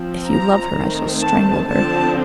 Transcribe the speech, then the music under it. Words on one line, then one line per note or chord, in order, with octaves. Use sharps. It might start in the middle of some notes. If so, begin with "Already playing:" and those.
If you love her, I shall strangle her....
Already playing: F3 C4
A#5
D#3 A3 C4
A5
D3 F3 C4 A5